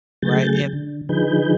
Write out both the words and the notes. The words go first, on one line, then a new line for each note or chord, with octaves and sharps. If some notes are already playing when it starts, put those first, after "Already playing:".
right? And
C#3 F#3 A3 G#4 G6 A6
D3
D3 F3 D#4 G#4 B4 G6